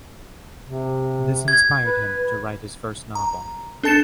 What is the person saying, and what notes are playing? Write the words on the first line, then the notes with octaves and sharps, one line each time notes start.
This inspired him to write his first novel.
C3
G#6
B4
A#5
D4 A4 A5 A6 C#7 E7